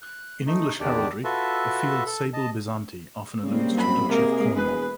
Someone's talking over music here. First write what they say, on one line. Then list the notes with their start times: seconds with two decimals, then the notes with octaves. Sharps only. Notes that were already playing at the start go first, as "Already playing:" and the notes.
In English heraldry, a field "sable bezanty" often alludes to the Duchy of Cornwall.
0.02 F#6
0.47 A3 D#4
0.80 E2 D#3 D4 G4 D5
1.24 F4 F#4 A4 B4 E5 A5
2.06 A4
2.33 D#5 A5
3.43 C#3 G3 A#3 C4
3.76 F#2 B5
4.08 C3 G#3 A#3 G#4 A#4
4.56 E1 B4